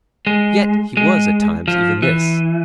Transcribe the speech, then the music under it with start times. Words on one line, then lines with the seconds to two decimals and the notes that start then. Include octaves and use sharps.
Yet he was at times even this.
0.27 G#3
0.97 G#3
1.68 F3
2.02 E3